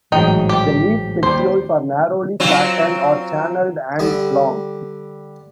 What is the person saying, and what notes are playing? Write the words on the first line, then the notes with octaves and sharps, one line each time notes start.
The leaf petioles are narrowly flattened or channelled and long.
A1 G#2 F#3 D#4 G5
G4
D#2 G3 C5
F#3 C4 F4
D3 G3